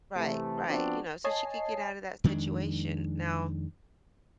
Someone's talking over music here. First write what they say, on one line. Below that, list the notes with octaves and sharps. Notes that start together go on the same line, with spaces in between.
Right, right, you know, so she could get out of that situation. Now,
C3 E3 A3
F3 B3 C4 D4 F#4
C#5 D#5 G#5 A5 C7
F2 D#3 G#3 D4